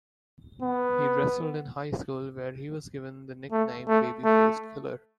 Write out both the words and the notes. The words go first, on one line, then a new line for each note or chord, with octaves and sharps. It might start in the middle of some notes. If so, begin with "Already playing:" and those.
He wrestled in high school, where he was given the nickname "Baby-Faced Killer".
B3
A3
A3
A3